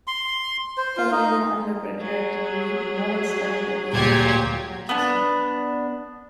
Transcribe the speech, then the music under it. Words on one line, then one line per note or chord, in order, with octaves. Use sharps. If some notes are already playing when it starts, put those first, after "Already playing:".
Following her undergraduate degree, Morgan studied at the University of Manchester.
C6
C5
F4
D#4
F#3 G#4
D2 A#2 G4 G#6
B3 D4